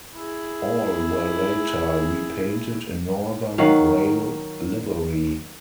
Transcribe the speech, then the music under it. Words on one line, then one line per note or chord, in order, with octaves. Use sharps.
All were later repainted in Northern Rail livery.
E4 G#4
D#3 F#3 F5